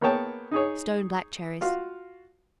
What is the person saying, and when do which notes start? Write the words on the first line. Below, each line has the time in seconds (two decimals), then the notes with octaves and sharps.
Stone black cherries.
0.01 A#3 B3 G#4 C#5 G5 A5
0.51 D#4 G#4 C#5
1.61 F4 F#4 F5